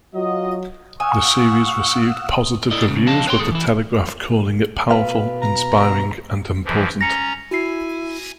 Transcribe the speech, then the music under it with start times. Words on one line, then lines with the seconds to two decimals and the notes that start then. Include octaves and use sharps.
The series received positive reviews, with The Telegraph calling it powerful, inspiring, and important.
0.14 F#3 F4 F#4 D#5
1.00 F5 F#5 G#5 C#6 D#6 E6
2.71 E4 A4 D5 D#5
2.86 G#2 C#3
3.07 F2 D3 D4 D#5 F5 A5
3.27 B4 C#5 G5 G#5 C6
3.38 E2 A2 G#4 A4
3.51 E3 E4
4.91 B2 B4 F5
5.42 A#5
6.65 F#2 E3 F3
7.01 C#4 A#5 A6 A#6 C#7
7.51 E4 F#4 G#5 C7